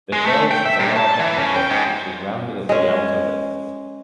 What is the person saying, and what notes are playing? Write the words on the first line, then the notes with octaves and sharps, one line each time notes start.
The shells have a large aperture, which is rounded at the outer lip.
G#3
A3
G5
E5
A#2
A5
E3
C#3
G5
G#2
G#3 C#4